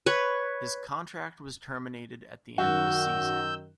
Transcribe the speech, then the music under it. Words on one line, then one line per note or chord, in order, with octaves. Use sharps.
His contract was terminated at the end of the season.
B4 C#5
F#2 D#3 F#4 E6 G6